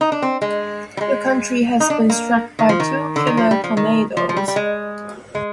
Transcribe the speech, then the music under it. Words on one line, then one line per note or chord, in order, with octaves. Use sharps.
The county has been struck by two killer tornadoes.
D#4
D4
C4
G#3
G3
G#3
D#4
D4
A#3
D#3
F3
D#3
D3
D#3
F3
G3
F3
D#3
F3
F3
G3
G3
G#3
G#3